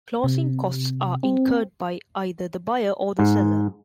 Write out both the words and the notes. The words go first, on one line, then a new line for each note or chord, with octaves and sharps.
Closing costs are incurred by either the buyer or the seller.
C3
C4
G#2